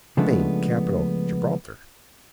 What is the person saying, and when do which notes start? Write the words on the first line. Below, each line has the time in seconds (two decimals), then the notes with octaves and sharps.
"Spain--capital, Gibraltar."
0.17 C#3 F3 G#3 A3 B3 D4